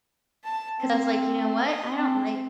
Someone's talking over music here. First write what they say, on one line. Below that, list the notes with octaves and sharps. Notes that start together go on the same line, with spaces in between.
'cause I was like, "You know what, I don't like
A5
C4
D#5
C4